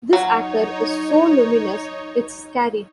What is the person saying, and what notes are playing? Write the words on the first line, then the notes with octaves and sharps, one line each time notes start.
This actor is so luminous it's scary!
F#3 D#4 C#5